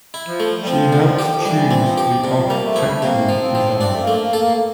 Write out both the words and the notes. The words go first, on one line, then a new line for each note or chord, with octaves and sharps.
She helped choose the architectural design.
E4
F3
A3
G3
F3 C4
D3
G4
F3
E3 G3
C4
E3
F3
G4
C3 G3
F3
G3
A#3
A3
F3 E4
G3
A3
C3 A#3
F3
C4
F3
C4 D4
A3
A#3
A3
A#3
A4
A#3